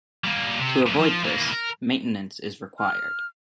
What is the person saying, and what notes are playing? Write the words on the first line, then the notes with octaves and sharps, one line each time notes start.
To avoid this, maintenance is required.
G3 A#3
C3
B1 A#2
F3
E3 A#3
A#4
F6